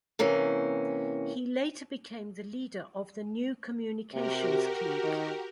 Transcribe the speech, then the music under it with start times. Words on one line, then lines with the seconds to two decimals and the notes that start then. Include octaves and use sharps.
He later became the leader of the New Communications Clique.
0.19 C3 E3 A#3 C#4
4.13 C3 F#4 G4 A#4
5.04 D#3